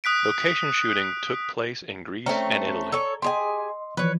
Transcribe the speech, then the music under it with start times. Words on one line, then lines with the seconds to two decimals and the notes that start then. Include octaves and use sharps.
Location shooting took place in Greece and Italy.
0.04 D#6 F#6 B6 D7
2.26 A3 C4 C#4 A#5
2.92 A4 C#5
3.22 G4 G#4 D#5 G#5 C6
3.97 E3 F3 B4 C#5